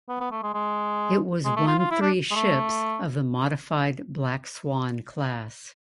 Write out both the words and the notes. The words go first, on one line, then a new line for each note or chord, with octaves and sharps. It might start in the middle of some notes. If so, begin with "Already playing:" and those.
It was one three ships of the modified "Black Swan" class.
B3
B3
A3
G#3
G#3
G#3
A3
F4
F4
E4
D4
G#3
A3